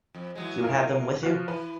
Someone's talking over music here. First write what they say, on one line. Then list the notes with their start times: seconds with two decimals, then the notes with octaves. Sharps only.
You have them with you?
0.14 F2
0.35 E3 F#3 G#3
0.62 F4 A#4 E5
1.23 F3 F#4
1.48 E3 B4